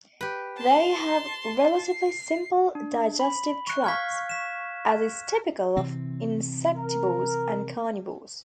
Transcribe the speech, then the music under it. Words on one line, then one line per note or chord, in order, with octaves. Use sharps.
They have relatively simple digestive tracts, as is typical of insectivores and carnivores.
G4 B4
A5 C6
C7
D4
B5
C#6 F#6
F5 C#6 F6 G#6 B6
B6 E7
C3 E3 C4
A#4